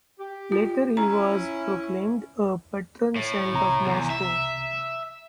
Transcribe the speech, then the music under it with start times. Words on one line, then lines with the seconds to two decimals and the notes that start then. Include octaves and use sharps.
Later he was proclaimed a patron saint of Moscow.
0.19 G4
0.52 F4
0.97 C#4 E4 A#5
3.16 A2
3.51 C2 C3 A#5
3.86 E2
4.10 E5